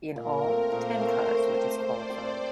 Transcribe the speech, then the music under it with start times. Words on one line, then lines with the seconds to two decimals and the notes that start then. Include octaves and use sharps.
In all, ten cars were disqualified.
0.16 A#2 A#4
0.44 A3 C4
0.71 A#2 C5
0.99 A3 C4
1.26 A3
1.54 C4 G4
1.81 A3 D5
2.10 C4 G4